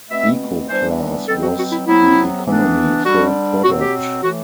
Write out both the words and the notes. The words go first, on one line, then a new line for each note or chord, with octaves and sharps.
Eco Class was the Economy-fare product.
B2 A3 C4 E5
E3 G3 B3 D4 C5
B2 F#3 C4 A4
F#4
F#4
E4
C3 F#3 B3 E4
E3 B3 D4
D3 G3 D4 F#4
B2 F#3 C4 F#4
G4
A2 E3 A3 F#4